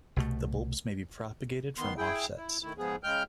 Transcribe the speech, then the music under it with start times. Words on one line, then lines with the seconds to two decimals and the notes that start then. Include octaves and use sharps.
The bulbs may be propagated from offsets.
0.16 C2 B2 A3
1.78 D#3 B3 C6
1.98 E4 G#4 G5
2.37 E4
2.63 D#3 A3 E4
2.78 G#2 F3 B3 G#4
3.03 C#3 G#3 G5 F6 G6